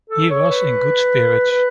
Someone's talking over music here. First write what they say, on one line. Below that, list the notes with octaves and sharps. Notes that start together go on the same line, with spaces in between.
He was in good spirits.
A4
C#5
B4
B4